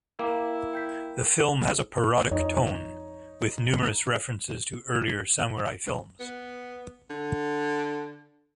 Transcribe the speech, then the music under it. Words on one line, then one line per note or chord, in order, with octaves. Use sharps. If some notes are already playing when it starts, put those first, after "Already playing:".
The film has a parodic tone, with numerous references to earlier samurai films.
A#3 E4 G5 D6
G5 G6 B6
F2 D#4 C#5
B3
D3